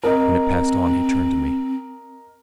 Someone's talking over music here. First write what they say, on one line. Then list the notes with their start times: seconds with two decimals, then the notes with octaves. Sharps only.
When it passed on, he turned to me.
0.03 C4 A#4 D#5